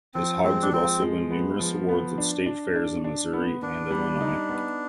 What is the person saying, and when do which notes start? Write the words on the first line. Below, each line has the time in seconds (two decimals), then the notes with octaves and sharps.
His hogs would also win numerous awards at state fairs in Missouri and Illinois.
0.14 F3 C4
0.44 G#3 C4
0.62 D4
0.73 F3 C4
1.02 G#3
1.31 B3
1.60 F3
1.89 B3
2.18 D4
2.46 D4
2.75 D4
3.04 D4
3.33 B3
3.62 B3 D4
3.91 G3
4.20 D#4
4.49 B3